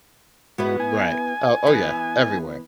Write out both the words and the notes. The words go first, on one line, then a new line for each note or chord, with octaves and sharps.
Right, oh oh yeah, everywhere.
G#2 B3 E4 F#4 B4
G#5
E3 B3